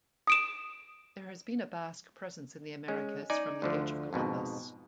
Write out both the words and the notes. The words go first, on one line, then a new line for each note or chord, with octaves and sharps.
There has been a Basque presence in the Americas from the age of Columbus.
D#6 D7 E7
G#3 C#4
D#4 D5 G#5
D2 D3 F3
F2 G#2 B2